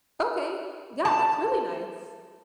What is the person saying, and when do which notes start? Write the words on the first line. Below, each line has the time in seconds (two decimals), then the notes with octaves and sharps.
Okay. Yeah, that's really nice.
1.05 A5